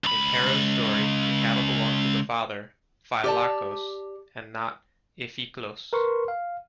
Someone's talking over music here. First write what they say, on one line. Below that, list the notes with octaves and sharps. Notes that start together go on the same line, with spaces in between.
In Pero's story, the cattle belong to the father Phylakos and not Iphiklos.
C#2 B5
G4 D5 A5
A#4 B4 C6 C#6
F5